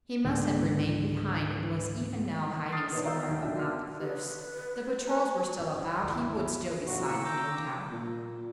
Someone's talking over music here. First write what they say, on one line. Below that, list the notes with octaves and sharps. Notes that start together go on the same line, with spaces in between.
He must have remained behind, and was even now hiding somewhere about the cliffs; the patrols were still about, he would still be sighted, no doubt.
C#2 G#2 D3 B3
D#6 F6 A6 C7 D7
B3 D#4 A#4 C#5 D5
A#4 F5 E6 G6
D#2 G5
B1 D4 E5
F6
G4 A4 B4
B4 C5 A5 A#5
G1
D2 D#3 E4
F2 A#2 F#3 F#4
A2 A#3 C#6 E6
G5 A#5 D6 E6
A#2